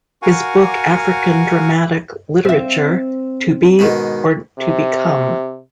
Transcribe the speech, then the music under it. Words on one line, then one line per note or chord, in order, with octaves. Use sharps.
His book African Dramatic Literature: To Be or to Become?
F#4 A#4 F5 F#5 G#5 C#6
C4 E5
G#2 B2 D#3
C3